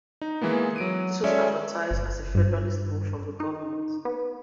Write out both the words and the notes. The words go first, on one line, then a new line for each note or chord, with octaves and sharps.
This was advertised as a federalist move from the government.
D#4
E3 G#3 A#3 B3
F#3 D7 D#7
G#3 C#4 A4 C#5 D5 E5
G1
G2
D#4
B3